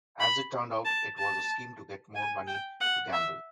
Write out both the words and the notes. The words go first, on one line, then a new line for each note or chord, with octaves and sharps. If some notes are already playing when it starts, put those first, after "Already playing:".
As it turned out, it was a scheme to get more money to gamble.
B5
A5
A5
G#5
G5
F#5
E5